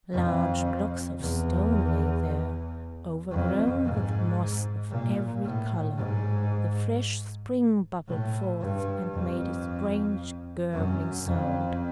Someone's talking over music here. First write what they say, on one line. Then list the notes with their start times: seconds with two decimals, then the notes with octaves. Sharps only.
Large blocks of stone lay there, overgrown with moss of every color; the fresh spring bubbled forth, and made a strange gurgling sound.
0.14 F2
1.20 E2
3.31 F2
3.84 G#2
4.90 A#2
5.43 A2
5.96 G#2
8.08 A2
8.61 G2
9.14 F2
10.73 F#2
11.25 F2